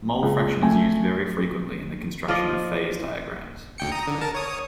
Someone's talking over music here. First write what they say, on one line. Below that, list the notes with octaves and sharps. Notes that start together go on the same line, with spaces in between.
Mole fraction is used very frequently in the construction of phase diagrams.
C#2
A3 G#5
F3 F4 D5 D#5
D2 G5 C#7
A#5 D#6
D3
A#4 A5
C#5 D#6